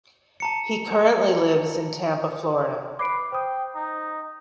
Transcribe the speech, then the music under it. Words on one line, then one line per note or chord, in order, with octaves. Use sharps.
He currently lives in Tampa, Florida.
A5 A#5 C#7
B4 D6 C7 D7
C5 G5 D#6
D#4